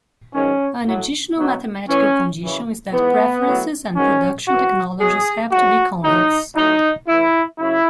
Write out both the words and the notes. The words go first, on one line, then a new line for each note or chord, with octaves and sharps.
An additional mathematical condition is that preferences and production technologies have to be convex.
G#2 D#3 F#3 C#4
A2 F#3
B2 F#3
A2 E3 C#4
F#2 C#3 E3
G#2 E3 B3
A2 F#3
G#2 D#3 F#3 C#4
F#2 E3 F#4
B2 F#3 G#4
G#2 F#3 F#4
A2 F#3 D#4
A2 F#3 D#4
A2 E3 E4
F#2 C#3 E4